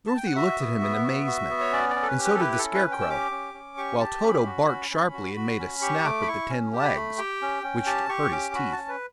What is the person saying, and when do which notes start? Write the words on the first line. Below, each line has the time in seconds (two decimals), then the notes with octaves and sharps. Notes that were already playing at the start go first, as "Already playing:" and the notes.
Dorothy looked at him in amazement, and so did the Scarecrow, while Toto barked sharply and made a snap at the tin legs, which hurt his teeth.
0.07 A5
0.17 G5
0.26 F#5
0.36 F#4 E5
0.59 B3
0.81 B3
1.04 F#4
1.27 F#4
1.50 B3
1.61 C#5
1.72 C#4 D5
1.90 D5
1.96 C#4
2.03 A4
2.07 B4
2.18 G4
2.25 B4
2.35 A4
2.40 E4 B4
2.52 B4
2.58 C#4 A4
2.75 B4
2.86 C#4
2.92 G5
3.02 E6
3.09 G4 D6
3.31 C#4
3.54 C#4
3.77 G4 C#6
4.00 G4 A5
4.23 C#4 B5
4.46 F#4
4.68 C#4
4.91 C#4
5.13 F#4
5.37 F#4
5.59 C#4
5.82 G4 C#6
6.04 A3 D6
6.22 B5
6.28 E4 C#6
6.50 C#4
6.73 G4
6.79 A5
6.84 B5
6.96 A3
7.18 G4 G5
7.42 C#4
7.63 C#4
7.86 G4 A5
8.09 G4 C#6
8.32 C#4 D6
8.54 F#4 B5
8.72 C#4 A5
8.88 B4